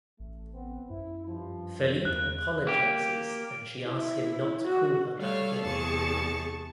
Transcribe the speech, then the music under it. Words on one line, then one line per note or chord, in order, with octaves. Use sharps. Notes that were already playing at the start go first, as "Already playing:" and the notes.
Felipe apologizes and she asks him not to call her that again.
A1 A3
B3 C4
F#2 E4
G2 F3
E2 C#3 G#3 A#3 F#6
A#3 G4
E4
F#4
G3 A3 A4 C#5 F5
E2 C3 A3 G#4 A5 C#6